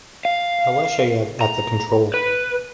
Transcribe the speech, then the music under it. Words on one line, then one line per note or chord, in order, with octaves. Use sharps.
Alasheyev at the control.
F5
A#5
B4